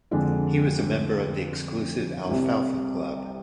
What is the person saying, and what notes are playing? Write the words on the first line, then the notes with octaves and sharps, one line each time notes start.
He was a member of the exclusive Alfalfa Club.
F2 D3 G#3 D4
C2 C3 G3